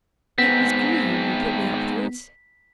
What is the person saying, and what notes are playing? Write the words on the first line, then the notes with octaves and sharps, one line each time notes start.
It was Green who put me up to it.
G#2 B3 C4 B6